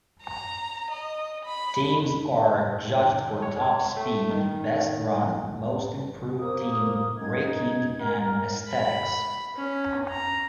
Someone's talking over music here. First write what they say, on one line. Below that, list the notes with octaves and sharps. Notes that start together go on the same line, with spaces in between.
Teams are judged for top speed, best run, most improved team, braking, and aesthetics.
A#5
D#5
B5
C#5
A3
D#3
A#3 A#4 C5 D#6
C#4 D#4 G#6
A#4
B5
C#4
A#5